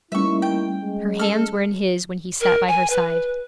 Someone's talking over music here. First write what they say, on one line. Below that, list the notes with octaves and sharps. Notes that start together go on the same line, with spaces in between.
Her hands were in his when he sat by her side.
G3 A3 A#3 C#4 D#4 E4 E5 C#6
G5
G#3
A4 F6
A#4
G#5
B4